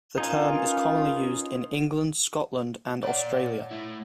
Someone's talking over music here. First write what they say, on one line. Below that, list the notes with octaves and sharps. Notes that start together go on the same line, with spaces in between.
The term is commonly used in England, Scotland and Australia.
C#4 D#4 F4 A#4 B4 F5 G#5
A#2 C#5 D5 F#5
A3 E4